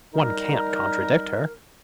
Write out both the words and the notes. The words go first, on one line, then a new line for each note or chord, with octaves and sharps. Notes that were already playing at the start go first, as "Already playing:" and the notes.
One can't contradict her.
D#3 G3 D#4 A#4